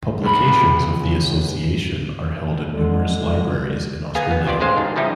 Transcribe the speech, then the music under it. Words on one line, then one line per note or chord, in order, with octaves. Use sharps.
Publications of the association are held in numerous libraries in Australia.
C#2 B5
D3 G#3
A#3 B3 G#4 F5 G#5
B3
A#1 D#2 F4 G4 D5
A1 F#2 G#3 C4 C5 F5
G#2 D#3 D4
C#3 F3 G3 D#4 E4 G4